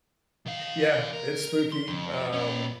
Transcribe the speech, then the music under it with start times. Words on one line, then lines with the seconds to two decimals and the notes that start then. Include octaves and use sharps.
Yeah, it's spooky, um,
0.46 D#3 F5
1.13 A#4
1.72 C6
1.88 F2
2.32 C#4 B4